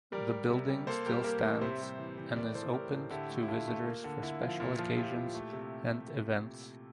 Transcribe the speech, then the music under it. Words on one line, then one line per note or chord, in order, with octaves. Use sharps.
The building still stands and is opened to visitors for special occasions and events.
G3 A#4 D5
G3
C3
G3
A#3 A4 C5
G3 G4 A#4
A#3 G4 A#4
A2
C3 C5 E5
G3
E3
E3
A2 A#4 D5
A2 A4 C5
A2 G4 A#4
A2
D3 E4 G4
A3
E4
D3 F4
A3
A#3
D3
D3 E4
F3 F4
A#2 E4
F3 F4
F3 E4 G4
A#2
A3
C3